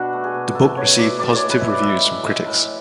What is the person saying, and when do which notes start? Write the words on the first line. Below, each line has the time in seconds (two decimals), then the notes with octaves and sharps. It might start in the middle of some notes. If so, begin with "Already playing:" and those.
The book received positive reviews from critics.
Already playing: B2 D4 F#4
0.13 A3
0.24 G#4
0.34 B2
0.55 A3 A4
0.77 B2 C#5
0.98 A3 D5
1.18 A2 D5
1.35 C#5
1.40 G#3
1.50 B4
1.61 A2 E5
1.67 D5
1.82 G#3 E5
2.04 A2
2.25 G#3
2.46 A2